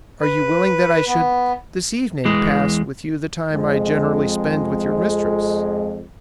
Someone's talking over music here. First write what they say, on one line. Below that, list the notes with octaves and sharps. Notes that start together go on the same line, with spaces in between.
"Are you willing that I should this evening pass with you the time I generally spend with your mistress?"
B4
B3
E2 E3 G#3
F2 G#3